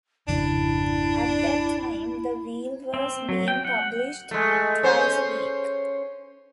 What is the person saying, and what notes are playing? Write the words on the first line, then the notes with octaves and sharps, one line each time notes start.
At that time the "Wheel" was being published twice a week.
G#1 F2 C#3 D4 E4
C4
F#3
G5
F#5
G#3 A3
C#4 C5